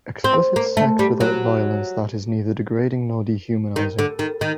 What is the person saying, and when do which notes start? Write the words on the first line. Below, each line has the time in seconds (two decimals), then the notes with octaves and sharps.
Explicit sex without violence that is neither degrading nor dehumanizing.
0.24 C4
0.56 A#3
0.77 A3
0.99 G3
1.20 F#3
3.76 D#3
3.99 D3
4.19 D#3
4.41 D#3